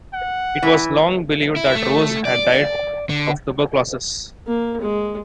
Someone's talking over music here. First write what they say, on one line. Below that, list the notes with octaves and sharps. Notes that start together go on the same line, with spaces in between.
It was long believed that Rose had died of tuberculosis.
F#5
E3
E4
A3
D5
D3
A#3
G#3